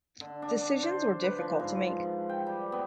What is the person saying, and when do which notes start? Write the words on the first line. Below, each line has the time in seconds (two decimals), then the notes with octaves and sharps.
Decisions were difficult to make.
0.21 D3
0.42 D4
0.62 D4
0.83 C5
1.23 B4
1.38 F3
1.60 G#2
1.87 F3
2.29 G5
2.46 G3
2.72 B3